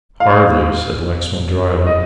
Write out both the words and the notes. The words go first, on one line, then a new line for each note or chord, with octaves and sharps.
"Hardly," said Lexman, drily.
F5
D#5